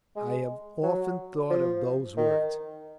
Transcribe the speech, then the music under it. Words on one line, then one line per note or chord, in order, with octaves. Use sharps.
I have often thought of those words.
G#3
F#3
F3
D#3